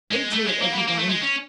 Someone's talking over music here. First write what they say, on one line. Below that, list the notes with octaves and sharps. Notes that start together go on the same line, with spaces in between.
"Into it, everybody!"
G#3
A3
G#3
A#3
B3
A#3
A#3
A3
G#3
C#4